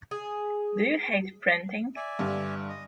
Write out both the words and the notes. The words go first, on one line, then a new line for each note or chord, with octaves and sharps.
Do you hate printing?
G#4
D5 E5 G#5
G2 D3
D#5 D#6